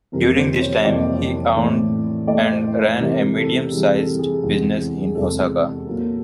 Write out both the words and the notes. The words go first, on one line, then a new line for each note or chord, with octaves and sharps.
During this time he owned and ran a medium-sized business in Osaka.
F2 C3 E3 G3 A#3 A#4
C5
C#5
F2 C3 E3 G3 A#3 D5
A2 E3 A3
A2 E3 A3 D5
C5
C3 E3 G3 A#4
A4
C3 E3 G3 G#4
A4
G#4
E2 C3 E3 G#3
G#4
E2 C3 E3 G#3 A4
A#2 F#3 A#3